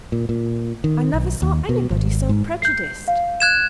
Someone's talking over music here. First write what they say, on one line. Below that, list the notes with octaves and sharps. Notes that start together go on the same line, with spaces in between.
I never saw anybody so prejudiced.'
A#2
A#2
D#3
B1
D#2
B2
G#1
G#2
G6 C7
F5
F#6 G#6 E7